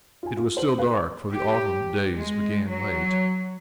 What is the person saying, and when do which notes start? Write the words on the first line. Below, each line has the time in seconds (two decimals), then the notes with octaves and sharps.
It was still dark, for the autumn days begin late.
0.23 F4 G#5
0.37 F4
0.57 C5 F#7
0.78 B4 F5
1.33 G4
2.17 G#3
2.69 F#3